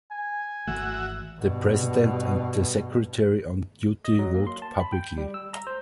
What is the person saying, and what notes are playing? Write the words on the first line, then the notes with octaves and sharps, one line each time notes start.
The president and the secretary on duty vote publicly.
G#5
G#1 E3 A3 F#4 E5
G2 B2
D#5
F#3
A#3
C6
A5
B5
G5
G3
E6
A#5
C5